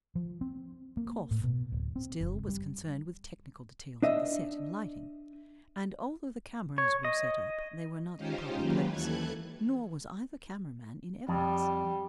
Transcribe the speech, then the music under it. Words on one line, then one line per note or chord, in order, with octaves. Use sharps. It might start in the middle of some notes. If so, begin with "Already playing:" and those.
Kauf still was concerned with technical details of the set and lighting, and, although the cameras were set up, they were not in proper place, nor was either camera man in evidence.
F3
C4
A#3
A2
B2
D1
C4
F#1
G3
D4 D#5 E5
C#5
D#5
G#3 C#4 D#4 F4 G4 C5
D#3 F#3 A#3 G4 B4
D#2 E3 A4 F#6 G#6
F2 G3